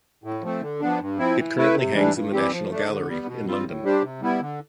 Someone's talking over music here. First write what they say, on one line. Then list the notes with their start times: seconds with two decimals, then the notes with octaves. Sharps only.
It currently hangs in the National Gallery in London.
0.24 A2
0.42 F3 A3 C4
0.62 D3
0.80 F3 B3 D4
0.99 G2
1.18 F3 C4 E4
1.37 E3
1.57 A3 E4 B4
1.75 C3
1.94 E3 G3 D4
2.13 G2
2.32 E3 G3 C4 G4
2.51 F3
2.71 A3 D4
2.89 D3
3.08 G3 B3
3.26 B2
3.46 G3 C4 F4
3.65 A2
3.83 G3 D4 G4 C5
4.02 C3
4.21 G3 B3 E4
4.41 D3